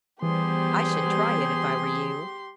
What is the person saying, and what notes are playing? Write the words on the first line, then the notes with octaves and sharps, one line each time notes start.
I should try it if I were you.
E3 G3 B3 G4 G#4 C5 C6